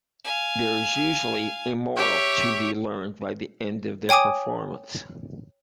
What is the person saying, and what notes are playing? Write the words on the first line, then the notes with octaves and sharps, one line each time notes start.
There is usually a moral to be learned by the end of the performance.
F5 G#5
G4 C#5 E5
C#5 G5 G#5 D6 D#6